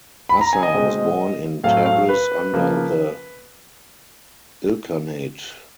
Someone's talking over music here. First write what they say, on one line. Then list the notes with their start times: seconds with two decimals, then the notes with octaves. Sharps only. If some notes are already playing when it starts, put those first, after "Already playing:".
Assar was born in Tabriz under the Ilkhanate.
0.29 B5
0.41 A#5
0.53 G#5
0.63 D#5
0.74 B2 G#3 C4
1.64 A2 F#3 A3 C4 F5
1.86 F5
2.09 B4
2.53 C#3 F3 A#3